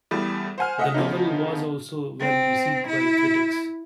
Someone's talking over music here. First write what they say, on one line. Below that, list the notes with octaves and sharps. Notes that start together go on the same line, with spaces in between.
The novel was also well received by critics.
E2 G3 A3
C5 F#5 G#5 F6
A3 D#5 E5 F#5
C#3 F3 A3 B3 C#4 D#4
C4
E4